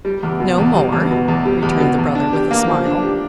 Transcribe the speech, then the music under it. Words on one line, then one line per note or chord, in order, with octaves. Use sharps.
'No more?' returned the brother, with a smile.
G3
E2
B2
E2
G3
E2
B2
E2
G3
E2
B2
E2
D4
G4
A#3
F3
D4
G4